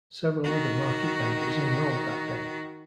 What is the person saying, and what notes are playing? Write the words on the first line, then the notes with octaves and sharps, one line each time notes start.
Several other Market vendors enrolled that day.
D#3 F#4